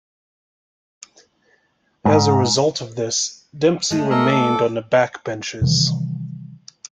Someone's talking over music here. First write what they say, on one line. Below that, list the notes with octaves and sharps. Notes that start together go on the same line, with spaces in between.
As a result of this Dempsey remained on the backbenches.
G#2
G#3 A3
A#4 D#5 E6
A4 D6
C3 D#3 E3 G3